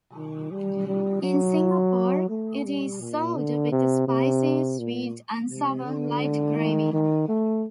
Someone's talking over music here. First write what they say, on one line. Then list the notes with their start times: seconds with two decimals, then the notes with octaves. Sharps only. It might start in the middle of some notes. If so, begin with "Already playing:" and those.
In Singapore, it is served with spicy, sweet and sour light gravy.
0.16 D#3
0.51 G3
0.87 G3
1.22 F#3
2.30 A3
2.65 G3
3.01 A#2
3.36 D3
3.72 C3
4.08 C3
4.79 A#2
5.50 C3
5.86 D3
6.57 D#3
6.93 D#3
7.29 A3